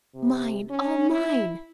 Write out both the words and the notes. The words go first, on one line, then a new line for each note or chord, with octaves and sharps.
"Mine, all mine!"
C3
C#4
E4